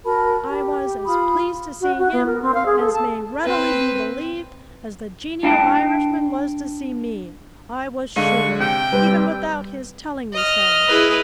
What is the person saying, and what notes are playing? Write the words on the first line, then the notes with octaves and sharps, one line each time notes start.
I was as pleased to see him, as may readily be believed, as the genial Irishman was to see me, I was sure, even without his telling me so.
F#4 A#4 A5 B5
G4
F4 B5 D#6
F#4
F#4
B3
A#4
C4
F5
G#4
A4
A5
C4 B4
D4 E4 F5 G5 A5
D3 G#3 F5 C#6 D#7
C3 G5
G3 C4 B4
D#5 F6
E4 G#4 B4